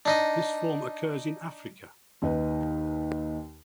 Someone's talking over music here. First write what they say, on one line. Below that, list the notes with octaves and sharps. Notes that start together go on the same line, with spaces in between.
This form occurs in Africa.
D4 D#4 D#5
D#2 D#4 B4